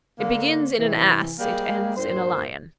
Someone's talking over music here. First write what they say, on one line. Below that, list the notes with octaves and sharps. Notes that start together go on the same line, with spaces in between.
It begins in an ass; it ends in a lion.
D3 A#3
C3 E3
G3 G#3 A#3
G2 A#2 C5